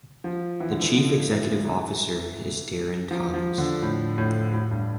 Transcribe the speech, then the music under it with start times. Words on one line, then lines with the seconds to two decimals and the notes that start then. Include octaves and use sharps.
The chief executive officer is Darren Thomas.
0.24 F3
0.60 E3
0.71 D3
0.82 E3
0.96 D3
1.31 E3
3.11 F3
3.34 F3
3.58 D3
3.82 A2
4.18 A2
4.53 A2
4.71 G2